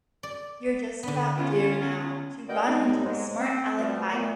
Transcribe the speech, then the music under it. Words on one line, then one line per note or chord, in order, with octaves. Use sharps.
You're just about due now to run into a smart-Alec buyer.
D5
D3 B3
C#4 F4
B3 F#4 A#4 D5 D#5 G5
F#2 G3 G#3 B3 D#4
G#2 F#3 G#3
C4
B2 F3 G3 A3
A#2 A3 B3